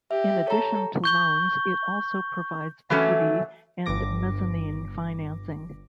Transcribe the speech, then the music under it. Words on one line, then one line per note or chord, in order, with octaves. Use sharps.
In addition to loans it also provides equity and mezzanine financing.
G4 E5
A4 C#5 A#5
C#6 G6 G7
E3 F#3 A3 C#4
G1 G2 D6 A#6